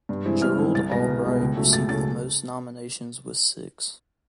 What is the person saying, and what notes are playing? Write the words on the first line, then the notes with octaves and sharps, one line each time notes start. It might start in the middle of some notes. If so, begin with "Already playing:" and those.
Gerald Albright received the most nominations with six.
G2
E3 G#3 C4 E4
G2 F6
E3 G#3 C4 E4
C2 A6
B2 G#3 B3 A#6
C2
B2 G#3 B3
C#2
C#3 F#3 A3
C#2 A6
C#3 F#3 A3 A6